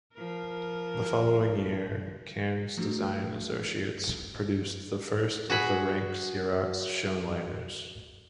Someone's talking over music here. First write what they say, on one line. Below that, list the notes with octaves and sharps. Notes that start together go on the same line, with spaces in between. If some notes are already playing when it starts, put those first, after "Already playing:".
The following year Cairnes Design Associates produced the first of the Rank Xerox Showliners.
F3 A#4
F3 A3 D4 F#4 G4
F#4 G#4 B5